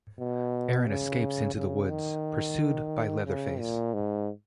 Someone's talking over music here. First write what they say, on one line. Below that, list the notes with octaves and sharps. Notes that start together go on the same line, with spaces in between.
Erin escapes into the woods, pursued by Leatherface.
B2
C#3
C#3
D#3
C#3
A#2
G#2